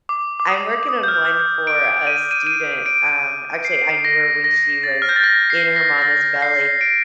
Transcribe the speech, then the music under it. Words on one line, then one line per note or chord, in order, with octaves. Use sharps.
I'm working on one for a student, um, actually I knew her when she was in her mama's belly,
D6
D6
D#6
D#6
G6
F6
G6
D7
D#7
D#7
D#7
D7
C7
A#6
A#6
A6
F6
G6
A6
A#6
C7
A#6
A6
A#6
C7
D7